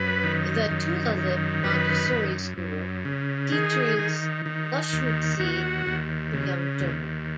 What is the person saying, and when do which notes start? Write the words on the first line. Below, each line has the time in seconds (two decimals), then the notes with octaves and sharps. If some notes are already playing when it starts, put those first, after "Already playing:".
The Tulalip Montessori School teaches Lushootseed to young children.
Already playing: F#2 B4
0.23 D#3
0.71 F#2
1.17 D#3
1.64 F#2 B4
2.12 F#2
2.58 F#2
3.05 C#3
3.52 D#3 G#4
3.99 D#3
4.46 D#3
4.93 D#2
5.39 D#2 F#4
5.86 D#2
6.34 C#3
6.80 D#2